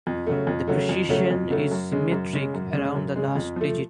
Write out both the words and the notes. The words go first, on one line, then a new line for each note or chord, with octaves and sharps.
The precision is symmetric around the last digit.
F2
C#3 F#3 A3
F2
C#3 F#3 A3
F2
C#3 F#3 A3
F2
C#3 F#3 A3
F#2
C#3 G#3
F#2
C#3 G#3
F#2
C#3 G#3
F#2
C#3 G#3
F2
F3 A3